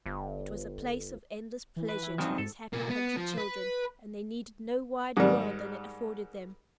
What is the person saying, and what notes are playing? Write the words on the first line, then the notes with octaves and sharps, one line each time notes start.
It was a place of endless pleasure to these happy country children, and they needed no wider world than it afforded them.
G1
E3
B4
E4
G2 C#3 F3 F#3 C4 D#4
G#2 A4
B2 A#3
B3
F3
B4
G#2 D#3 G3